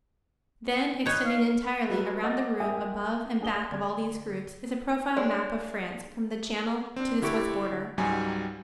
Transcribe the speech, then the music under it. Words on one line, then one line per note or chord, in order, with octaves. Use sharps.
Then extending entirely around the room above and back of all these groups is a profile map of France from the Channel to the Swiss border.
D#4 B4 C#5
F5
F#3 G3 A3 B4
D#5 F#5 D6 A6
G#4 A#4 E5 G5 G#5 D#6
D4 G#4 D#6 G7
D3 D5 G#6
G#3 D4 C#5
C4 D4
D3 E4 G4 C#6 D7
C#2 G#2 F#3 G3 G#5 A#5